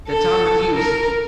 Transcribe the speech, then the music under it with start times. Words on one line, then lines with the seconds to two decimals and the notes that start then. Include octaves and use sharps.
The town refused.
0.08 A4
0.75 A#4